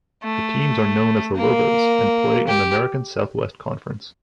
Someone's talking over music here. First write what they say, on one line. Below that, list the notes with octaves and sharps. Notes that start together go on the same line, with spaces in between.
The teams are known as the Lobos, and play in the American Southwest Conference.
A3
A#3
G4